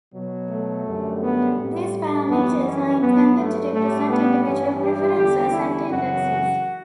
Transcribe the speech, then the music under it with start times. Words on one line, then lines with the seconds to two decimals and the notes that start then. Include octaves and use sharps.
These parameters are intended to represent individual preferences and tendencies.
0.13 B2 F#3
0.49 A3
0.85 F#2 D3 G3
1.21 B3
1.57 A2 G3
2.28 F#2 E3 G3 B3
2.64 C#4
3.01 G2 F#3 B3
3.36 A3
3.72 A2 G3 A3
4.08 B3
4.44 G2 E3 G3 C#4
4.80 G4
5.16 E2 D3 G3 G4
5.52 E4
5.87 F#2 C#3 E3 F#4